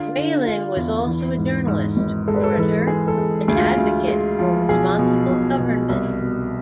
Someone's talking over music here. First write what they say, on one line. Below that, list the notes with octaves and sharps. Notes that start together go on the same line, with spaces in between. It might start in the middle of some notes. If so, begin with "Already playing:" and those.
Whelan was also a journalist, orator and advocate for responsible government.
Already playing: D3 F4
D3
D3 F4
E2
E3
G#2
G#2
G#1
G#3 A4
B4
A4
B4
E3 A4
G#3 G#4
A4
G#3
D2 G#4
F4
G#4
D2
G#3
F3
B1 G#4
B2
B1
B2
C2
B2